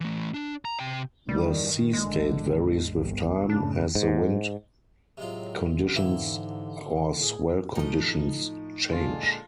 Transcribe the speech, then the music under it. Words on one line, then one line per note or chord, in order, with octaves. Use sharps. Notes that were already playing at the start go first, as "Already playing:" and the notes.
The sea state varies with time, as the wind conditions or swell conditions change.
E3 A3
D4
A#5
C3 G5
G2 D#3 G3
A1 D3 G#3
G1 C2
F#2 A2 C#3 D4
G#2
A2 C3 F#3 G#3 F4
F#1 D3
G#2 E3 A#3 E4 G4
A2 G#4
A2 F3 D#4 D#5
A#2 D3 G#3 F4 A5